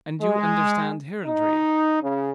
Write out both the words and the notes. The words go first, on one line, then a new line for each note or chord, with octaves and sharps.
"And you understand heraldry?"
G#3
D#4
C#3